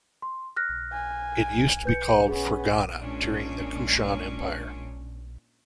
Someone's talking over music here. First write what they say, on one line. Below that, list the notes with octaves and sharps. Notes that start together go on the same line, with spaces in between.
It used to be called ferghana, during the Kushan empire.
C6
F6 F#6 A#6
G#5
B4 G6 C#7
B3 C#4 G#4
A#2 G#3 C#4 D4